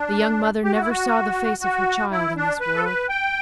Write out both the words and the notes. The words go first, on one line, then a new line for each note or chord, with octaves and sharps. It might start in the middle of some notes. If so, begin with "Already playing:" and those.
The young mother never saw the face of her child in this world.
Already playing: D4
G4
F#4
E4
F#4
F#4
E4
D4
B4
A4
B4
G5